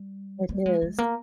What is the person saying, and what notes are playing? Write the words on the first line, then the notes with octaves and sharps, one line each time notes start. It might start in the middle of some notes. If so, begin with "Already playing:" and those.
It is.
Already playing: G3
A#3
G#3
G#3
A#3